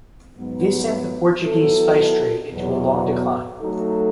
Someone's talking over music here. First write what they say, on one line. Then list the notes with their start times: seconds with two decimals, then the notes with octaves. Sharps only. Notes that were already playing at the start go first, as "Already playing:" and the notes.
This sent the Portuguese spice trade into a long decline.
0.37 G#2 F#3 B3
1.45 F#3 B3 E4 A4
2.53 E2 B2 F#3
3.61 F#3 A3 D#4 A4